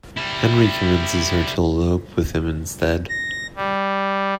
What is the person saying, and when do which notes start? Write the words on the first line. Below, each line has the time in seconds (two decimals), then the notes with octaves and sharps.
Henry convinces her to elope with him instead.
0.17 G3 E4
3.09 A#6
3.56 G3